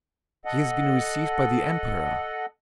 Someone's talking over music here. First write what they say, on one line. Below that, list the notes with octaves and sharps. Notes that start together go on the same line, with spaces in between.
He has been received by the Emperor.
A4 D#5 F#5